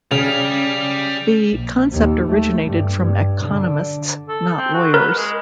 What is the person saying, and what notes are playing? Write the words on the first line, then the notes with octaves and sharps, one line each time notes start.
The concept originated from economists, not lawyers.
C#3 G3 F7
G3
A#1
D#2
A3
G2
G2
D3
A4
C4
F#4
A#4 B4
G#3